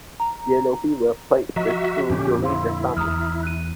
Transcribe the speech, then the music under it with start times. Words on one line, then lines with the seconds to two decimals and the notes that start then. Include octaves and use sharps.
Yellow fever plagued the crew during the summer.
0.20 A#5
1.56 F3 F#4 D#5 E5 A#5
2.10 F2 A#2 D3 C#4 G4
2.42 E4 C5 F5 C6
2.97 E2 A#5 D#6 F6
3.43 F#6 D#7